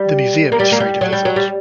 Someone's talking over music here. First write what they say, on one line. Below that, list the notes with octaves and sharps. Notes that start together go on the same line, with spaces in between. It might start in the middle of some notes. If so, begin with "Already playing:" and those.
The museum is free to visit.
Already playing: G3
A#3
G3
A#3
G3
F#3
G3
F#3
G3